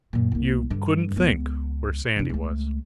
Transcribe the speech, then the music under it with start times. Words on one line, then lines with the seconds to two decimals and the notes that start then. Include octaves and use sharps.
You couldn't think, where Sandy was.
0.13 F#2 A#2
0.32 C2 A#3
0.70 G2 D3
1.16 C#2 B3
2.17 C3 D4
2.29 C#2 A3